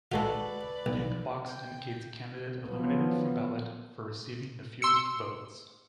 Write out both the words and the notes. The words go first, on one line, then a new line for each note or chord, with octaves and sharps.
Pink box indicates candidate eliminated from ballot for receiving the fewest votes.
G#3 A3 F4 F#4 A4 B4 D5
B1
G5
F3 F#3 B3
C6 E6 C#7